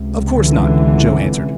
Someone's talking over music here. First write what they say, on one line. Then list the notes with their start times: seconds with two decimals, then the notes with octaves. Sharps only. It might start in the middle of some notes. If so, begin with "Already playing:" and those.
"Of course not," Joe answered.
Already playing: C#2 C3
0.34 D3 E3